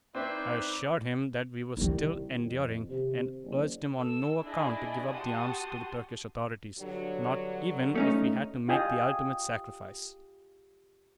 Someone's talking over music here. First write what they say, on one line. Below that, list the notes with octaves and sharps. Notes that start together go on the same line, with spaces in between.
I assured him that we were still enduring, and urged him on no account to give up the arms to the Turkish authorities--not even if we had to make the ultimate sacrifice.
C4 D#4 E4 B4 C5 D5 E5
C2 D#3 E4
F2
C3
F#1
A4 E6
D4 E4 G#4 D5 D#5 G#5
F#4 G4 F#5 A5 C6 D#6
G2 D3 F#3
A3 C#4 D#4
F4 G4 G#4 D#5 G5 D#6